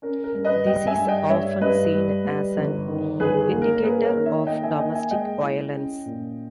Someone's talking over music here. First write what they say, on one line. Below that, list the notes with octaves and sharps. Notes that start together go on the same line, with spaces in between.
This is often seen as an indicator of domestic violence.
C#4 A#4
A#4
G2
B4 D#5
G3 D#5 G5
E5 G#5
G2
D#5 G5
G2 C#5 E5
G2 B4 D#5
G3
G3
G1
D#3
G1 G#4 B4
G#4
A#3
A#4
A#3 G#4 B4
A#4 C#5
D#3
C#5 E5
A#3 D#5 G5
E5 G#5
A#3 D#5 G5
E5 G#5
G#3 D#5 G5
E4
C#4
A#2